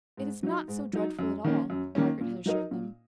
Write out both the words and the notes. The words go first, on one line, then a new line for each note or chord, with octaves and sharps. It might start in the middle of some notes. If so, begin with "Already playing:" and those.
"It is not so dreadful at all," Margaret had assured them.
G#2
F#3 D#4
G#2
F#3 D#4
F#2
D#3 A#3 C#4
F#2
D#3 A#3 C#4
A#2
F#3 D#4 A#4 D#5
A#2